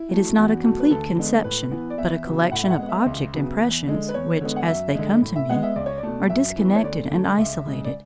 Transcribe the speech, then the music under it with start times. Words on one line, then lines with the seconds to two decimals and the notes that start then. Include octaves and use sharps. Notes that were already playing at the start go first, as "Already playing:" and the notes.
It is not a complete conception, but a collection of object-impressions which, as they come to me, are disconnected and isolated.
Already playing: E4
0.09 F#3 A3
0.36 E2 F#4
0.64 B2 F#3 A3
0.80 B4
0.90 D2 A4
1.18 D3 G#3 B3
1.44 A2 B4
1.71 E3 B3
1.90 D5
1.98 E2 E5
2.25 C#3 F#3 B3
2.41 E5
2.52 A2 F#5
2.63 E5
2.70 F#5
2.79 G#3 B3
2.89 E5
3.06 C#2
3.34 C#3 F#3 B3
3.60 E2
3.87 D3 G#3
4.09 B4
4.14 E2 C#5
4.41 D3 G#3 B3
4.56 F#5
4.68 F#2 E5
4.95 D3 G#3
5.22 A2
5.36 E5
5.49 G#3 B3 F#5
5.63 E5
5.76 C#2 D5
5.86 C#5
5.98 D5
6.03 B2 A3
6.30 F#2 E5
6.57 E3 B3
6.76 C#5
6.83 D2 D5
7.10 D3 A3
7.38 C#2 E5
7.65 C#3 G#3
7.85 D5